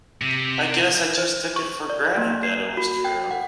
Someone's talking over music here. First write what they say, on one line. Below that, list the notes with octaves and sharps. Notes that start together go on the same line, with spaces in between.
I guess I just took it for granted that it was true.
C3
C5
C#6
D5
A#3
C7
F#4
G5
F#5